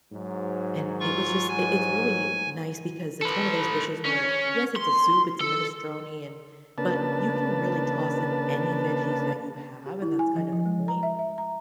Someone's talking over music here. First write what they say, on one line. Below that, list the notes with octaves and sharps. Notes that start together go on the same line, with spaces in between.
and it was just it it's really nice because it's one of those dishes where, yes, it's a soup, it's a minestrone, and but you can really toss in any veggies that you have, and that's kind of the point,
G#2 F#3
F4 C#6
G#5
A4 B4
C#4
C6
A4
C#3 A#3 D4 B4 A5
G4
E4
G#5
F3
F3
G#3
A#5
E5
E5
A#5